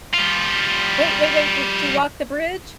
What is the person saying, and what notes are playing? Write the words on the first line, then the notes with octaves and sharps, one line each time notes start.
Wait, wait, wait, did she walk the bridge?
G3 F4